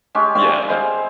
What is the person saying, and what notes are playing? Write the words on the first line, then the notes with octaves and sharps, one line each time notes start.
Yeah, other
G#3 C#4 G4
G3 C4 E4 F5
G#3 E4 C5 F5